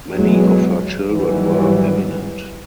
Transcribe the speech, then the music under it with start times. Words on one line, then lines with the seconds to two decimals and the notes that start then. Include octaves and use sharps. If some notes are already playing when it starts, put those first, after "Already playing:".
Many of her children were eminent.
0.13 E2 B2 F#3 G#3
1.10 G#2 D#3 E3 F#3 G3